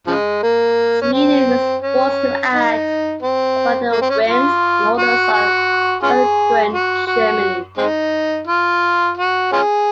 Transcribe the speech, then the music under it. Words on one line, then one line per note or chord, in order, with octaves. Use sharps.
Sweden was forced to act upon the whims and orders of a belligerent Germany.
C#3 F3 G#3
A#3
C#4
C4
C#4
D#4
C4
A#3
C4
C#4
F4
F#4
F#4
C#4 F4 G#4
F#4
F#4
G#3 C4 D#4
F4
F#4
C#4 F4 G#4